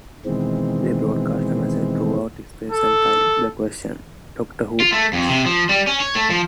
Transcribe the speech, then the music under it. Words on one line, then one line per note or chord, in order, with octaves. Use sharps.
They broadcast a message throughout space and time, the question Doctor Who?
B2 D#3 E3 G#3 C4
A4
F4
A3
F2
C3
F3
G3
C#4
C#5
A3
F3